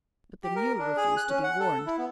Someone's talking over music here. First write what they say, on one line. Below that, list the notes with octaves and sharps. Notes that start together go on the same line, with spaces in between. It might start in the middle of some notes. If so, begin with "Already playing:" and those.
But the mule refused to be warned.
G4
A#4
D4
G#4
F#6
C#4
F#5
A4
E4
B3